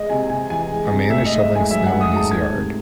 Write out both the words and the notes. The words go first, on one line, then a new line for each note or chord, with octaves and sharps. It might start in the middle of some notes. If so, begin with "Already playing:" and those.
A man is shoveling snow in his yard.
Already playing: G#3 D#5
C3 G#5
C3 G#5
E3 G#5
G#3
C3
A3 E5
G#2 D#5
E5
G#2
G#5
F#3 E5
A3 F#5
D#6
G#2
A5
A3 G#6
C3